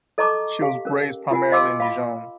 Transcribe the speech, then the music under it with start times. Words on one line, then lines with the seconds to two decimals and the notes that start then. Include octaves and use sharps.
She was raised primarily in Dijon.
0.18 A4 D#5 A5 A#5 C#6 D6
0.61 G4 F5
0.85 C#4 A#4
1.31 F4 A#4 F#5 G#5
1.52 D#5 F5 C6 D6 E6
1.80 F5 B5